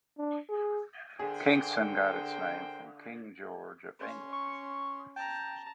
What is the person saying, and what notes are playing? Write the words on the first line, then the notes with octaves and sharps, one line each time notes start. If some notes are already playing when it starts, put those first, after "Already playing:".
Kingston got its name from King George of England.
D4
G#4
D3 G#4 A#4 C5 G5
C#4 C6
C#6
G5 A5 A#5